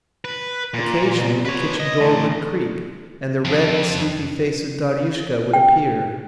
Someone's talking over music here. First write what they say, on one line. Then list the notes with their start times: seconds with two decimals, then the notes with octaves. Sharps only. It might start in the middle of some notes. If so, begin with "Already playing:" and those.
Occasionally the kitchen door would creak, and the red and sleepy face of Daryushka would appear.
0.25 B4
0.74 A#2
1.45 B4 C#5
1.80 D#5
2.01 E3 A3
3.45 F2
5.53 G5